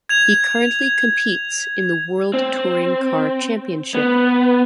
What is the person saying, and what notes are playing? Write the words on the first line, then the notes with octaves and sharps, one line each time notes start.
He currently competes in the World Touring Car Championship.
G#6 F7
C4
B3